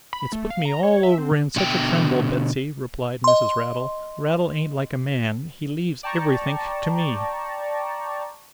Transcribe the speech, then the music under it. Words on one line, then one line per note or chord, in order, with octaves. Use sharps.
'It's put me all over in such a tremble, Betsy,' replied Mrs. Raddle. 'Raddle ain't like a man; he leaves everythink to me.'
B5
A3
F5
A#5
C#5
E5
C4
D3
B2 D3 G5
D#5 C6
D5 G5 A5 A#5 C#6